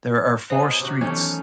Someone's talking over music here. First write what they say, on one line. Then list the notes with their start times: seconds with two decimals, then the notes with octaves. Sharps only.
There are four streets.
0.50 F#3 B3 C5 D#5 G#5
0.80 C3 F#4
1.01 D#3 E3 F#3 A3 B3 C#4